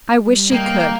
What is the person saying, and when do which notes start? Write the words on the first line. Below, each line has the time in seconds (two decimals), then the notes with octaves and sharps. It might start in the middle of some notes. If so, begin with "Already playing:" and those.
I wish she could.
0.14 G3
0.52 A#3 D#5 F5 G5